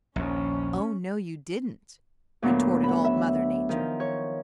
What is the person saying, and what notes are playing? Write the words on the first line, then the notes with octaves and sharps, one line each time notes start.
"Oh, no, you didn't," retorted Old Mother Nature.
A#1 D#2 C#4
D2 A#2 F#3 B3
F#5 B5
E5
D#3 F3
C#5